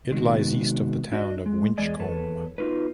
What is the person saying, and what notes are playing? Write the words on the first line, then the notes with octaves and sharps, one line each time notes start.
It lies east of the town of Winchcombe.
C3 D#3 G#3 B3 F#4
D4 F#4 D5 D#5
G#3
E2 G#3 G#4 D5 D#5 G#5
E2 A4 B4 C#5 A5
B3 D#4 F4 F#4 B4